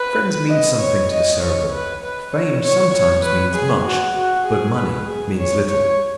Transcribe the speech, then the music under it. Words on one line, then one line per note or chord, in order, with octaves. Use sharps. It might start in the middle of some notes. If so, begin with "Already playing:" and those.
Friends mean something to the Cerebral, fame sometimes means much but money means little.
Already playing: B4
D#5
C#5
D#5
C#5
B4
B4
C#5
C#5
C#5
B4
G#4
F#4
F#4
G#4
B4
G#4
C#5
C#5